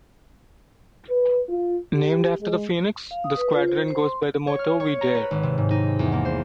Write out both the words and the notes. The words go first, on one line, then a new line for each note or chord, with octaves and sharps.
Named after the Phoenix, the squadron goes by the motto "We Dare".
B4
F4
G4
G#3
F5
D#6
B4
F4
C5
C5
C6
C#5
F6
C#5
A#5
B4
G#1
C3
G#2
D#4
E2
A#3
C5